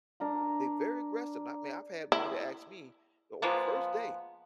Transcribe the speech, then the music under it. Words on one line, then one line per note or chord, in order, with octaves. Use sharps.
They're very aggressive, I mean, I've had one that asked me o on the first date,
D4 A#4 F#5
E4
F3 G#3 A#3 B3